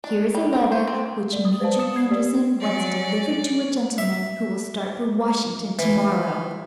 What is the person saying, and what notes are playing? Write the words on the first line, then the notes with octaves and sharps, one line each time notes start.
Here is a letter which Major Anderson wants delivered to a gentleman who will start for Washington to-morrow.
D4
G3
C4
C5
C4
D5
D#6
B4 C5 D5 F5 A5
D#6 C#7 E7
G#6 C7
G4 D5
F#3 C#4 D5
E5
E3